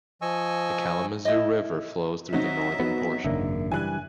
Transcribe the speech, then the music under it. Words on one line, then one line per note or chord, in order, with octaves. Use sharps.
The Kalamazoo River flows through the northern portion.
F3 D#5 G#5 C#6 E6
E4 D#5
F#3 C4 D#4 E5
B3 F#4
G#1 F#2 C#3 A#3 D4 E5
E3 F#3 G3 G#5 F#6